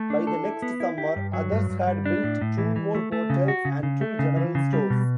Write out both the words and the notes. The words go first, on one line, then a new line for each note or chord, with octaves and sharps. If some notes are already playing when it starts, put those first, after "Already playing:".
By the next summer others had built two more hotels and two general stores.
Already playing: A3
D4
A4
E4
B3
E4
G4
G2
F#3
G2
G2
G3
D4
A2
A2
E3
E3
A3
A3
C#3
F#4
C#3
C#3
A3
C#3
E3
C#3
G3
B2